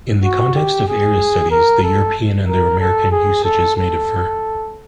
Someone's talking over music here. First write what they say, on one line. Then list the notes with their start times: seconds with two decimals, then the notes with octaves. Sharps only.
In the context of area studies, the European and the American usages may differ.
0.23 F#4
0.55 G4
0.87 G#4
1.51 A#4
1.83 A4
2.47 A#4
2.80 A4
3.12 G#4
3.44 A4
3.76 A4